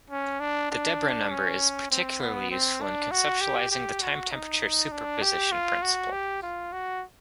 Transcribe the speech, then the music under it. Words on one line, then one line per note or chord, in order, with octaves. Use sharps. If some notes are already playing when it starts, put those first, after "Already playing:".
The Deborah Number is particularly useful in conceptualizing the time-temperature superposition principle.
C#4
D4
D4
C#4
C4
B3
C4
D4
F#4
G4
G4
F#4
D#4
D4
G4
F4
F#4
G4
F4
F#4